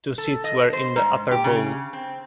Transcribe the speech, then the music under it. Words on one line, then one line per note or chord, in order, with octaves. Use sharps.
Two seats were in the upper bowl.
A4
D#5
C5
G#2
G4
C#3
C4